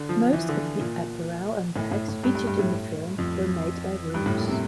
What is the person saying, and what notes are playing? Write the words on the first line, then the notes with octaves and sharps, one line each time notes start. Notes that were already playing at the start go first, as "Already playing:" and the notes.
Most of the apparel and bags featured in the film were made by Roots.
Already playing: D3
F3
E3
D3
A#2
A2
A2
A2
G2
G2
G2
A2
F2
G2
A2
A#2
C3